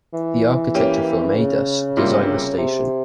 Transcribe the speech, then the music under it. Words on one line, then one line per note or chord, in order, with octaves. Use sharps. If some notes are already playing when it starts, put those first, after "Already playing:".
The architecture firm Aedas designed the station.
E3
A#3 C#4 G4
C#3
C3 G3 A#3 F4
C3